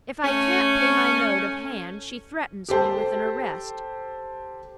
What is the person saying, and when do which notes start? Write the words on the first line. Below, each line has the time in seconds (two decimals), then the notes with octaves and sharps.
If I can't pay my note of hand, she threatens me with an arrest.
0.23 A3 C#4
2.69 G4 A4 C5 A5